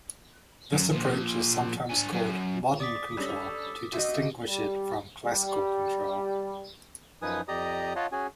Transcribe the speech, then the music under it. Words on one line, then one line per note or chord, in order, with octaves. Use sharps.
This approach is sometimes called "modern control" to distinguish it from "classical control".
F#2
A#2 F3
D4 G#5
F#2
D5 D6 D#6 B6
G3 C#4 D4 A4
C2 F#4 D#5 E5
G3
G3
F#2 F3 D#4 B4 G#5 D#6
F2 G4 D5 D#5 A#5 D#6
F4 C#5 D#5 F5 F#5 A5
C#4 F#4 G#4 G#5